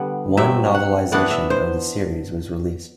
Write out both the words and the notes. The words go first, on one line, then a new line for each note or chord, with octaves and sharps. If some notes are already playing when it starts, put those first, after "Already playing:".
One novelisation of the series was released.
Already playing: D3 G3 B3 F#5
G2 F#3 C4 E5
F#5
E3 B3 D4 F#5
E5
C5